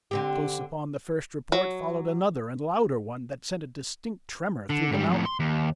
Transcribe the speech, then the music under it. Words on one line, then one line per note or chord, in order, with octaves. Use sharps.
Close upon the first report followed another and louder one, that sent a distinct tremor through the mountain.
D3 C4 G4
F#3
D3
G#2 G3
F2 A2
C6
D#2